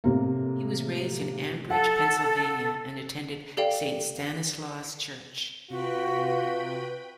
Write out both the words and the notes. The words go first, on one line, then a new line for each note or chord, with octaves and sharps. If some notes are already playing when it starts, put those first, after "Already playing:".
He was raised in Ambridge, Pennsylvania and attended St. Stanislaus Church.
A2 C3 A#3
A4 F#5
G4 A4 D5 F5 G5
C3 F4 F#4 B4 G5 B5